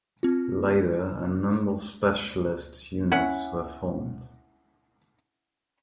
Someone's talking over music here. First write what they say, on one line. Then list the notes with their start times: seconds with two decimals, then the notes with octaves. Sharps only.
Later, a number of specialist units were formed.
0.23 C4 F4
3.12 C#4 E4 F#5